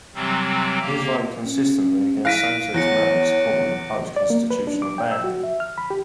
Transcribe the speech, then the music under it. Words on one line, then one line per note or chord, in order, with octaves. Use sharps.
He has voted consistently against same-sex marriage, supporting the proposed constitutional ban of it.
C3 E3 F#3 G3 C4
A#3 G4
C#4
E4 F5 F#6 A#6 B6 D7 D#7
E2 C#5 F#6 A#6 C#7
D5
A#3
B4
D4
D6
G5
E6
F#4
E5
F6
B5
G4